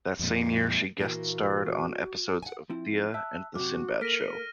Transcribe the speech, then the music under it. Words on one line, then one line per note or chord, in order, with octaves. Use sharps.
That same year she guest starred on episodes of "Thea" and "The Sinbad Show".
F2 A#2
A#2 E3 A#3 F#4
F#5 G#5
F3 C4 E4
E5 A5 E6 F#6
F#2 C3 F#4 D6
A#3 A4 A#4 F6 A#6 B6 D7 D#7